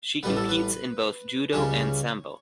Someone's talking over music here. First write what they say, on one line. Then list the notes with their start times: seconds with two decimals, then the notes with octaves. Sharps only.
She competes in both judo and sambo.
0.23 A1 A2 G3 B3 B4
0.37 A4
0.49 B4
1.53 C#2 C#3 G3 C#4 C#5